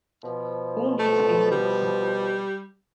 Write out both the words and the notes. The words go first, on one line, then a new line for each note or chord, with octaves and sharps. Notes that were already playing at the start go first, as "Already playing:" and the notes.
Who Needs Enemies?
B2 F3
A3
G3